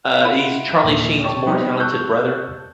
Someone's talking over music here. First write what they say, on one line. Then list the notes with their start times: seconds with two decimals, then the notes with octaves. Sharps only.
uh, he's Charlie Sheen's more talented brother.
0.21 E4 F4 F5 F#5 B5 D#7
0.82 A#1 D#2 E5
1.24 C#5 D5 G5 A5 C#6
1.46 G3 B3 D#4 G4
1.80 A5 C#6 E6 F#6 G6